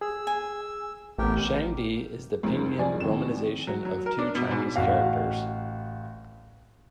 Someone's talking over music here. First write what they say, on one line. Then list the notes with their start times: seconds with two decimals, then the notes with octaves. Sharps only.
"Shang Di" is the pinyin romanization of two Chinese characters.
0.01 G#4 E6
0.27 G#5
1.18 A1 A3 B3 G4 A#4 G5
2.43 C2 F2 G#2 A#4
2.79 A#1 F2 G#3 D5 G#5
3.00 D#2 A2 C4 E7
3.67 F#3
3.85 F#3
4.06 A#4
4.19 D4
4.35 B2
4.51 G#2
4.76 A1 F#4 F5